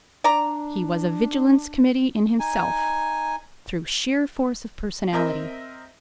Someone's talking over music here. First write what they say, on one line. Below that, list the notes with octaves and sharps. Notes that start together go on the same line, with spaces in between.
He was a vigilance committee in himself through sheer force of personality.
D4 D5 A#5
D#4 G#5
C4 A#4 D#5 E5